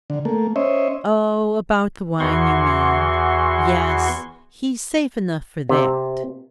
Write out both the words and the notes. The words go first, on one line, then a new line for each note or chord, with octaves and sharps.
'Oh, about the wine you mean--yes, he's safe enough for that.
D3
A3 A#3
C#4 C5 C#5 D#5 E5
E2 E3 F#4 C6 C#6
C3